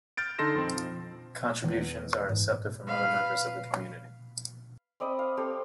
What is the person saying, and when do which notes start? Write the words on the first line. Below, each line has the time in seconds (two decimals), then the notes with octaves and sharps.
Contributions are accepted from other members of the community.
0.17 F6 G6 A6 D7
0.38 D3 D#4 A4 C6 A#6 E7
0.55 F2 C4
0.76 F3
1.64 E2
2.30 G#2
2.87 B4 F5
5.00 C4 D5 D#5 B5
5.19 F5
5.37 C4 G4 A4 C5